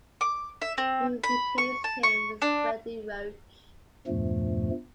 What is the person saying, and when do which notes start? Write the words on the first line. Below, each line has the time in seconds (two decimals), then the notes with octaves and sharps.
He replaced him with Freddie Roach.
0.21 D6
0.62 E5
0.78 C4
1.24 B5
1.58 C#6
1.84 A5
2.03 C#6
2.42 D4
4.07 E2 G2 A#2 F3 A3